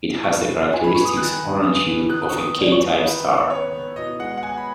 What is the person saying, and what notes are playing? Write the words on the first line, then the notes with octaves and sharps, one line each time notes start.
It has the characteristic orange hue of a K-type star.
B3 C#6
B3
B3 G#5
B5
B3 C#6
D#6
D#3 F#6
D#3
B3 D#6
B3
D#3 F#6
B3 C#6
D#6
B3
C#6
B3
D#3 B4
B3
B3 C#5
B3
B2 D#5
G#3 F#5
F#5
B2 G#5
B5